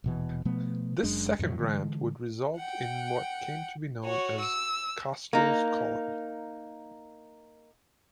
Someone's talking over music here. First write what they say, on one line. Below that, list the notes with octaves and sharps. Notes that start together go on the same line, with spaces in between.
This second grant would result in what came to be known as Castro's Colony.
D#1 B2 E3
B2 F3 A3 B3
F#1 F#2 G#3 D4
F2 A2 F3 F#3
D3 E3 G#3
F#5 G5
F#4 C#5
E6
A#3 D#4